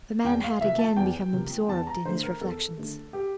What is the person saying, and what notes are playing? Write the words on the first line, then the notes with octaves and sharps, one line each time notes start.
The man had again become absorbed in his reflections.
E2 G5
F5
C3 F3 A#3 E5
A5
E2 G5
C3 F3 A#3
E2 A5
A#5
D3 A3 C5
A#4
E2 A4
D3 A3
G4